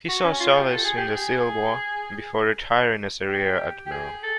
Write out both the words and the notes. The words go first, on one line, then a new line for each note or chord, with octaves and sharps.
He saw service in the Civil War before retiring as a rear admiral.
F#4
C#4
F4
G4
A4
G#4
G4
G#4
G4
G4
G#4
A4